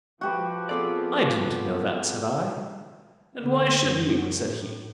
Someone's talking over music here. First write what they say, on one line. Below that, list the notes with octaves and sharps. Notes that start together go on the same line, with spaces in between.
'I didn't know that,' said I. 'And why should you?' said he.
F3 F#4 G4 B4
B3 C4 G#4 A4 D5 D6
D3
F#2
A2